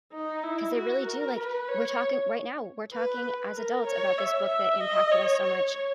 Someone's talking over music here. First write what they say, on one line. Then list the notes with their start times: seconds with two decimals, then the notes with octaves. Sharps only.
'cause they really do, like we're talking right now, we're talking as adults about this book that impacted us so much
0.12 D#4
0.43 E4
0.74 F#4
1.06 A#4
1.37 B4
1.69 C#5
2.93 B4
3.55 A#4
3.87 C#5
4.18 E5
4.49 E5
4.80 D#5
5.11 C#5
5.43 C#5